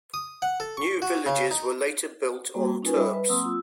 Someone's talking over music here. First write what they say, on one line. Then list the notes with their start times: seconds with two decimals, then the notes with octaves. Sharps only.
New villages were later built on terps.
0.14 D#6
0.42 F#5
0.60 A4
0.77 C#6
1.02 F#4
1.26 C#3
1.51 D#4
2.55 G3 A#3 F#4
2.82 C#4 D#4 F4 A#4 B4 G#5
2.96 G3 D#5 E5 B5
3.13 B4
3.29 F#3 A#3 C4 C6 D#6 E6
3.43 F4 E6